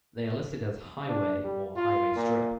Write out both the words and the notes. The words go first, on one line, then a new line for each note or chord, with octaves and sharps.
They are listed as "Highway" or "Highway Strip".
D4
G3
F4
A#2